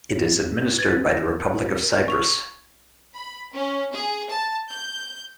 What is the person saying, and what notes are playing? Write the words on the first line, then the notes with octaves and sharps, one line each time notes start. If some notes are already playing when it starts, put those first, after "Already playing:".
It is administered by the Republic of Cyprus.
B4 G#6 A6
A#4 A#6
C#6 F7
B5
C#4
G#4
A5
G6